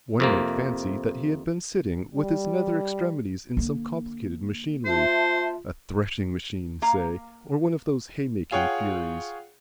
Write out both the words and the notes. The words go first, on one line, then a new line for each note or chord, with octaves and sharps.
One might fancy that he had been sitting with his nether extremities in some complicated machinery, a threshing-machine, say, or one of those hay-making furies.
F2 C3 A#3
G3
D3 A#3
F4 C5 E5 A5
A#3 F5 A#5
F4 G#4 C#5 F#5 G5